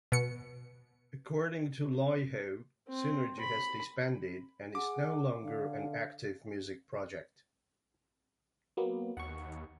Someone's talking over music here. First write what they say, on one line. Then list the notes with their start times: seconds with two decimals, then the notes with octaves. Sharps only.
According to Laiho, Sinergy has disbanded and is no longer an active music project.
0.12 B2 C#7
2.88 C4
3.39 B5
4.75 G#4 F#5 D6
5.43 D3 F5
8.77 F#3 A#3 B3
9.17 D#2 F#5 C#6